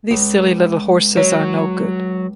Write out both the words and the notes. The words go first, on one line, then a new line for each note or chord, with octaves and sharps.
These silly little horses are no good.
C#2
F#3 C#5